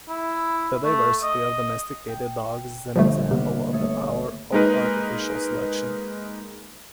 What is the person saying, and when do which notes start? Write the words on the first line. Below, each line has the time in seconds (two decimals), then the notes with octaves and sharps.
The diversity of domesticated dogs is an example of the power of artificial selection.
0.09 E4
0.85 A3
1.23 D#5
2.08 G5
2.96 G1 F3 G3 A3
3.31 C3 A#3 B3
3.73 A3 C#5 D#6
4.52 G#3 A#3 D#4 A#4 B4